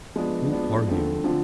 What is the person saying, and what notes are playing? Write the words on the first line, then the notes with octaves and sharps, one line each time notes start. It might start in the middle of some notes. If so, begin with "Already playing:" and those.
Who are you?
F3 G#3 B3 D4
F3 G#3 B3 D4
D3 F3 A3 C4 F4
D3 F3 A3 C4 F4